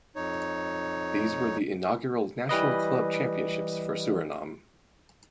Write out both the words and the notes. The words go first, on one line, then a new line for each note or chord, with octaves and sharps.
These were the inaugural National Club Championships for Suriname.
F2 D#4 C#5
E3 G3 B4 D#5